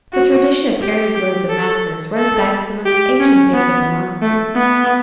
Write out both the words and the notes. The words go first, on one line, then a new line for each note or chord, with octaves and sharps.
The tradition of carriage-loads of maskers runs back to the most ancient days of the monarchy.
F#4
G4
G4
A4
A4
G4
C#4
B3
A3
B3